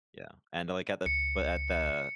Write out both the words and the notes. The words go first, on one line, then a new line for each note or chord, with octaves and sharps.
Yeah, and, like, at the but at the
C#2 C#7